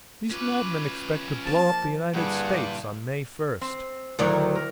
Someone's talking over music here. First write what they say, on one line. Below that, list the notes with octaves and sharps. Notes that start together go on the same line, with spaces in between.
These madmen expect to blow up the United States on May first.
C#4 F4 B4 D6 F#6
F3 A#3 A5
G2 A#2 D3 G3 E4 G#4 F#5
C4
D2 D#3 F#3 E4 D5
A#4